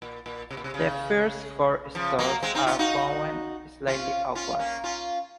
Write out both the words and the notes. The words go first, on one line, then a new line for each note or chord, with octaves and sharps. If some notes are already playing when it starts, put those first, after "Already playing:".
The first four stories are bowed slightly outward.
A#2
A#2
C3
A#2
C3
C#3
C#3 F3
F#3 A#3
G#3 C4
C4 D#4
C#4 F4
D#4 F#4
C#4 F4
C#4 F4
A#3 C#4
C#4 F4